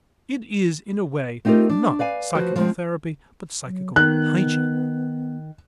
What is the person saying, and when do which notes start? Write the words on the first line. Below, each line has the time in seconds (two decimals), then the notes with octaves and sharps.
It is in a way not psychical therapy but psychical hygiene.
1.45 A3 C4 D#4 F4 G4 A#4
1.69 D4
1.99 B4 D5 F5 G#5
2.35 F3 F#4 B4 C5
2.56 F3 G#3 C4
3.66 F#3
3.96 D#3 B3 F#6